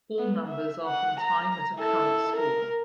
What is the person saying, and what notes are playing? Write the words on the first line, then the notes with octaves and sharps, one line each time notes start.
All numbers are from time at current school.
B3
E5
F#5
A#5
E4 A4
A#4